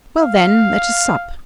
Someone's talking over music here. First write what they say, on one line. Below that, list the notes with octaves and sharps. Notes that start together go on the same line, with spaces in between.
"Well, then, let us sup."
F5